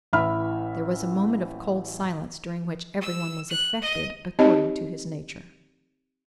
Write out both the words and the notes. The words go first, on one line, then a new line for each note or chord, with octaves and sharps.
There was a moment of cold silence, during which everyone was affected according to his nature.
A1 E3 E5 B5 F6
E6
F#6
D#5
C4 D#4 G4 C#5 D#5 A5